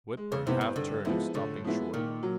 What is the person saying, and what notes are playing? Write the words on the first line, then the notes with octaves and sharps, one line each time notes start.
Whitburn half-turned, stopping short.
G#3
C#3
C3 B3 E4
G2
G2 D3
G#2 F3 G#3 B3 E4
A2 D3
F3 G#3 B3 E4
A#2 D#3
F#3